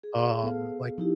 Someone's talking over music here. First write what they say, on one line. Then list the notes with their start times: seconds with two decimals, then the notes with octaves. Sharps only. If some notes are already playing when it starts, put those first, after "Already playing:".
um, like,
0.03 G#4
0.43 B3 A4 F5
0.98 F3 D#4 E4 G4